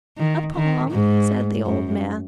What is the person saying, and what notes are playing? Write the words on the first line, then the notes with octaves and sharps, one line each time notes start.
"A poem," said the old man.
D#3
D#3
G#2
F#2